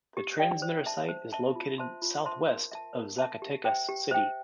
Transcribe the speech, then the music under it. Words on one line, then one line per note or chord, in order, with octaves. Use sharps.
The transmitter site is located southwest of Zacatecas City.
G4
D5 G5
C5
E5 A5
C5
E5 A5
F4
C5 E5 A5 C6
F4
C5 E5 A5 C6
A#4
E5 A5
A#4
E5 A5
G4
C5 E5 G5
G4
C5 E5 G5